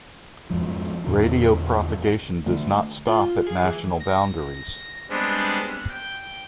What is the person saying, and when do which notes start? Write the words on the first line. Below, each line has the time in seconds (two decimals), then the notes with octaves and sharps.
Radio propagation does not stop at national boundaries.
0.50 F2 G#2 F3
1.04 E2 A#2 D3 C#4
2.46 D3 A3
3.07 F4
3.47 G#4
3.63 E3
4.00 A#6
5.09 G3 G#3 B3 C4 D4
5.89 G5